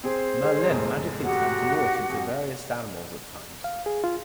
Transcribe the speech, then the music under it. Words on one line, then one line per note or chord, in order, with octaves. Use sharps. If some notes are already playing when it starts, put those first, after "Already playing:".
Merlyn magically turns Wart into various animals at times.
C4 G#4 C5
G#3 G#4 C#5
F1 E2 G#2
F#4 G4 F#5
F2
F5
G#4
F4